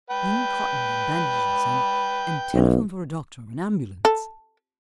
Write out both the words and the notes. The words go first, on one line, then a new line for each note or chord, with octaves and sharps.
"Bring cotton and bandages, and--and telephone for a doctor, an ambulance!"
B4 G5
B1
A4